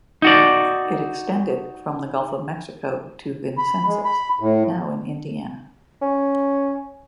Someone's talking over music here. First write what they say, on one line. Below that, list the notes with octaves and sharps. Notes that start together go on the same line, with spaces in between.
It extended from the Gulf of Mexico to Vincennes, now in Indiana.
D#4 F#4 D5
B5
G#3
B5
A2
C#4